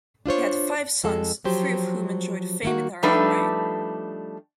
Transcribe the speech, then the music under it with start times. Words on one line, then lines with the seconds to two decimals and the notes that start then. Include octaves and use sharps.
He had five sons, three of whom enjoyed fame in their own right.
0.26 D4 F4 C5 C#5
1.04 F2 G#3 A4
1.44 F3 F#3 G4 C5
2.63 D#3 A#3 F#4
3.03 F3 G3 A3 D4 D#4 B4